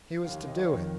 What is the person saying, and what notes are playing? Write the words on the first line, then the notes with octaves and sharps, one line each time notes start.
He was to do it.
D#2 D#3 F5
F5
D#5
C#5
F2 D#3